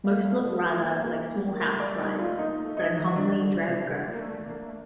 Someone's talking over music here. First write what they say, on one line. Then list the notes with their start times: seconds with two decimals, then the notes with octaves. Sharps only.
Most look rather like small houseflies, but are commonly drab grey.
0.04 G3 F5
0.24 A3
0.44 A3
0.63 A3
0.82 A#3
1.51 A#3
1.60 A3 A#4
1.80 D5
1.86 G3
1.99 D#4
2.13 A3
2.19 F4
2.38 A#3 D#4
2.64 A3
2.77 D#4
2.89 F3
2.97 D#3
3.05 F3
3.15 D#3 D4
3.41 D3
3.68 C3
3.94 D3
4.11 A#3
4.20 A3
4.45 A#3
4.66 A3